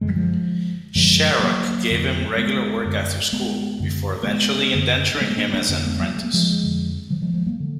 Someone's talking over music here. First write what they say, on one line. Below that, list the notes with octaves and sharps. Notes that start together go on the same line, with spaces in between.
Sharrock gave him regular work after school, before eventually indenturing him as an apprentice.
F#2 D3 G#3
F#3
F3 G#3
F#2 D3 F3 G#3
G#3
F#3 A#3
F2 D3
G#3 B3
F#2 D3
G#3 B3
F#2 D3
A#3
G#3 B3
F#2 D3
D4
G#3 B3
A#3 D4
A#3 D4
F2 D3 A#3 D4
G#3 B3
F#3 A#3
G#3
A#3
F3 G#3
F2 D3
D#3 F#3
F3 G#3
F3 G#3
F#3 A#3
D3